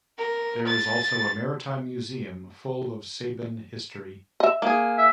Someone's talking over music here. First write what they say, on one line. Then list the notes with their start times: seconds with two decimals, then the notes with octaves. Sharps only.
There is also a maritime museum full of Saban history.
0.18 A#4
0.67 A6
4.40 D#5 E5
4.62 A#3 G#4
4.98 E5